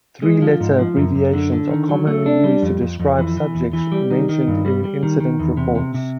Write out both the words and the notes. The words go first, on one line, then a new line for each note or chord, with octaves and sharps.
Three letter abbreviations are commonly used to describe subjects mentioned in incident reports.
G#3
F3
G#2
F3
F#2
F#2
D3
D3
D#3
F#3
A3
D4
G3
F2
F2
F2
E3
E3
E2
E3
G3
D#3
D#3
G2
G3
G3
D#3
D#3
E2
C3
C3
C3